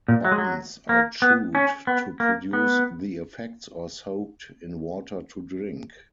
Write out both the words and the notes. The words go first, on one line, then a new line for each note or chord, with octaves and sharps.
Buttons are chewed to produce the effects or soaked in water to drink.
A#2
F#3
G#3
F#3
A#3
B3
C#4
B3
A#3
B3